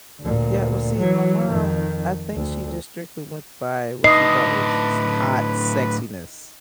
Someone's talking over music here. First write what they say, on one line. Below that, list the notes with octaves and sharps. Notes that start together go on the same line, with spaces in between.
Yeah, well, see, my mom, I think she just strictly went by what she thought was hot sexiness.
D2 A#2
E3 F#3
F2 D#3
D2
A2 D3 B4 D#5 C7